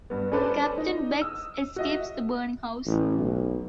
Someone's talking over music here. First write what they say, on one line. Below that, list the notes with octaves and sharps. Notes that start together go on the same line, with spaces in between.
Captain Beggs escapes the burning house.
G2 B3
C#4 D4 A4 B4 C5 D5
D#4
D#6 E6
F#4 D#5 E5
A1
B1